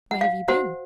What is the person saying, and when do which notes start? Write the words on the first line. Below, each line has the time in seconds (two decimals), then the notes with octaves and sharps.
Where have you been?'
0.11 F#5
0.21 F5
0.48 F#4 C5 F#5